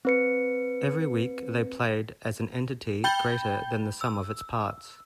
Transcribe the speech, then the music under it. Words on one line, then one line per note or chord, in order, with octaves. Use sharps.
Every week, they played as an entity greater than the sum of its parts.
C4 B4 C#7
G5 B5 G6 A6 G7
E6